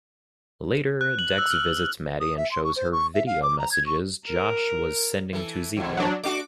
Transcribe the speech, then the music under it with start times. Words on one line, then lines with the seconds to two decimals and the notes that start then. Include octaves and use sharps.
Later, Dex visits Mattie and shows her video messages Josh was sending to Ziegler.
1.01 F#6
1.19 F#7
1.38 E6
1.51 F6
2.21 D#6
2.37 E5
2.51 C6
2.64 C#6
2.76 C5
2.92 C#6
3.14 E5
3.27 F5
3.43 D6
3.59 A#5
3.72 G#6
3.86 C#6
4.26 A#4
5.33 E3 A4
5.76 E2 G#2
5.97 F#3 D4
6.24 A3 D4 F#4 D6